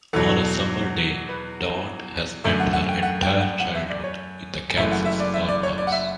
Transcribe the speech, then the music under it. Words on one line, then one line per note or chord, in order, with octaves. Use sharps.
On a summer day, Dot has spent her entire childhood in the Kansas farmhouse.
E2 B2 F#3 A4
B4
F#2 D3 A3 E5
F#5
F#5
G5
F#5
G5
F#5
F#5
E5
D5
C#5
F#1 F#2 E3 A3 E5
F#5
E5
D5
E5
D5
C#5
D5
F#5
E5